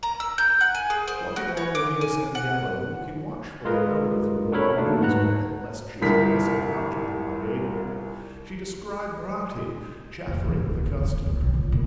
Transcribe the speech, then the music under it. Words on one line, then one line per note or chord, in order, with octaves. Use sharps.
Walking along the Via San Gallo, and looking watchfully about her through her long widow's veil, lest she should miss any object that might aid her, she descried Bratti chaffering with a customer.
A#5
E6
G6
F#5
G#5
G#4
C5
F#4
C#5
D6
G#5
F#5
G#3 F4 A#4 B4 D#5
D4 F#4 A4 A#4 C#5 B5
A3 A#3 D4 D#4 F#4
G#2 B4 F#5 A5 A#5 F#6
G1 C2 A#4 B6
F1
E3
A2
D2
D3
D#1
F1
C#2
B1
C#2
A#2